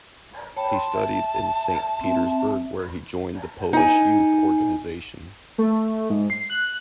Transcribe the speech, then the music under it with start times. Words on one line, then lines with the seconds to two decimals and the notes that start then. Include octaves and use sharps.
He studied in Saint Petersburg where he joined the Polish Youth Organization.
0.56 C#5 G5 A5 B5
0.74 C6
0.94 E5
2.01 C4 E5
3.73 D#4 G#5
5.58 A3
6.10 G#2
6.30 C7
6.50 F#6